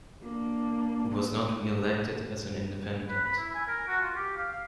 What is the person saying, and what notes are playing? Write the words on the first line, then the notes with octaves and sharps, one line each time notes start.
He was not re-elected as an independent.
A#3 D4
B4
B5
E4
G#5
A#4
F#4
F4
G4
F5
F5